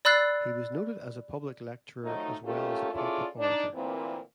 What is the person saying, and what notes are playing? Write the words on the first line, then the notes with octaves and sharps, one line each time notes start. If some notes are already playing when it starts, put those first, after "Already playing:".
He was noted as a public lecturer as well as a pulpit orator.
D5 B5 E6 F#6 A6 C7
D#3 F3 F#3 A3 D#4
A3 A#3 C#4 F4 G4 A4
C#4 E4 F4 G#4 A4 D5
D4 D#4 D5
D2 A#2 E3 A#3 C4